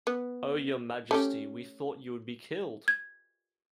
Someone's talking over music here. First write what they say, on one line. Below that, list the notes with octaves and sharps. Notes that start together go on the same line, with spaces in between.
Oh, your Majesty, we thought you would be killed!
B3
A3 C#4 G4
G#6